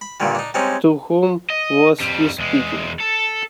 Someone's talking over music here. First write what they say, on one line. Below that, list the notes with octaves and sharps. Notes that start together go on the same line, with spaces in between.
To whom was he speaking?
B5
G2 A#2 D3 D#3 G3
D4 D#4
G3 G#3 C4 C#4 D#4
D#5
F2 G3
E2 G#3
A4